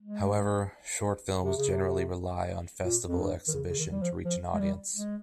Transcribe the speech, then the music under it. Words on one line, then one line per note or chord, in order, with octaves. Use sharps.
However, short films generally rely on festival exhibition to reach an audience.
G#3
C3
C#3
C3
A#2
F2
G2
D#3
C#3
C#3
D#3
G3
F3
F3
G#3
G3
G#3